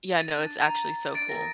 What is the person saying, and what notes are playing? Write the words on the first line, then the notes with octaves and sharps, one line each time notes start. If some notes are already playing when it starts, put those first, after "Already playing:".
Yeah, no, it's actually so cool,
A6 D#7
D4
A#5
D4 A6 D7
E2 A#4 A#6